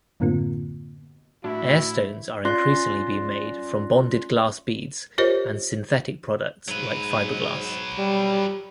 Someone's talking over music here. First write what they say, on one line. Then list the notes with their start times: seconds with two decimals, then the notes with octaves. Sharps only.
Airstones are increasingly being made from bonded glass beads and synthetic products like fiberglass.
0.20 F#2 A2 D3 A#3 C4 F4
1.44 A2 D4 E4 F#4
2.45 C#4 F4 D5 C6 F#6 A#6
5.18 F4 G4 A#4 C5 C#5 D#5
6.68 G#2 F#3 B4
7.98 G3